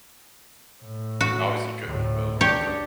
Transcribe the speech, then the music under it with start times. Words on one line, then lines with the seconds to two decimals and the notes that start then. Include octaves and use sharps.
obviously couldn't, well, with, um,
0.83 A2
1.21 F#4
1.86 D2 A2
2.41 D4 G4 C#5